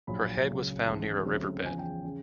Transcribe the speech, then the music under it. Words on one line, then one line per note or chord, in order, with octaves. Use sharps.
Her head was found near a riverbed.
A#1 A#2 F#3 B5
C#2 C#3 F#3
A1 G#2 D#3 A5
D2 C#3 F#3 A3 C4
E2 C#3 F3 G#5
G5
C#3